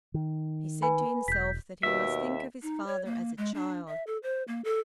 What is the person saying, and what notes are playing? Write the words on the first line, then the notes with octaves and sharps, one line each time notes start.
He said to himself that he must think of his father as a child.
D#3
B4 G#5 B5
E1 G6 B6
D#2 B2 E5
D#4
C#5
A#3
G#3
D4
E5
A4
C5
A#3
A4